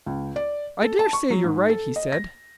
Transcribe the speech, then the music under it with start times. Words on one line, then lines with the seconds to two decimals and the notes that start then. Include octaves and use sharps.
"I daresay you're right," he said.
0.06 C#2
0.36 D5
0.82 A4
0.99 A5
1.13 C#6
1.30 F#3
1.44 G#2
1.69 A4
1.96 D#5
2.12 A#6